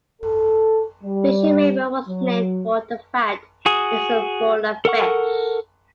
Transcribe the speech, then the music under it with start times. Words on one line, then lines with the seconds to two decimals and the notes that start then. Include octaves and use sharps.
Fishing River was named for the fact it is full of fish.
0.22 A4
1.04 G3
2.08 F#3
3.66 F#4 G#4 D#6
4.85 A4 A#4 F#5 C#6